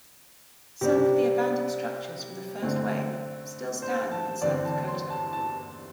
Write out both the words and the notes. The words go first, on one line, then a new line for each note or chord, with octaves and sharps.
Some of the abandoned structures from the first wave still stand in South Dakota.
C3 G3 D4 G4
D3 A3 C4
C5
A5
E2 D3 C4 D5
A5
C6
A5
A5